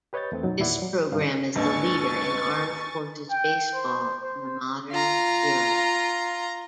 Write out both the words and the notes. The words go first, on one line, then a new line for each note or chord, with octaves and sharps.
This program is the leader in armed forces baseball in the modern era.
G4 B4 C#5 D#5 G6 A6
E2 A3 C4
F#2 B2 F#3 D#4
E2 A#2 D#3 E4 D5 F#5
F#3
G2 C3 D#3 C#4 D#4 F5
G#1 D#2 D3 B4 G#5 C#6 A6
G5
C5
C5
F4 A#5